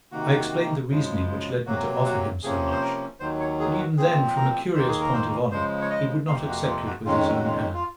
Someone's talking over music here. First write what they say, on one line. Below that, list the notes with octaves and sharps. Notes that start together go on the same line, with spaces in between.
I explained the reasoning which led me to offer him so much; but even then, from a curious point of honour, he would not accept it with his own hand.
C3 D#3 A#3 F#4
F#2 C#3 F3 G#3
C3 F#3 A#3 F#4
F#4
C3 F3 A#3 C#4 G#4
C5
A#4
D#2 D#3 F#3 C5
C#5
G#4
F#4
A#2 F3 C4 G#4
A#4
D#2 D#3 A#3 C5
G#4
A#4
C5
C#3 F3 G#3 C5
C#5
D#5
F2 C3 F3 A#3 F5
F#4
F4
F#4
F2 D#3 G#3 C#4 F4
F#4
F4
F4